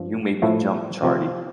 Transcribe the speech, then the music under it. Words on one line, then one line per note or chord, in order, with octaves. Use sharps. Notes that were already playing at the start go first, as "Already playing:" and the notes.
You made me jump, Charley.
Already playing: G2 F3
A2 F3 A3 E4 A4
C3 F3 C4 F4